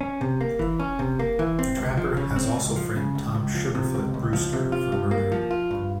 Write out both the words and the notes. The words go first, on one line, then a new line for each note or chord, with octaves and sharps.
The trapper has also framed Tom "Sugarfoot" Brewster for murder.
C#4
C3
A#3
E3
C#4
C3
A#3
E3
C4
C#2
F3
C#3
C4
C#2
F3
C#3
C#2
C#2
F3
C3
C#2
C#2
F3
C3
F4
G2
A#3
F3
F4
G2